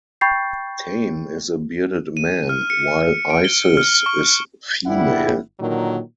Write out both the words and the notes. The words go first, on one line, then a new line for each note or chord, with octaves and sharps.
Thame is a bearded man, while Isis is female.
G5 B5 C#6 G6 A6 C7
D#7
F6
C#7
D7
G7
F6
C#6
G1 G3 E4 F#5
A#2 D3 D#3 F#3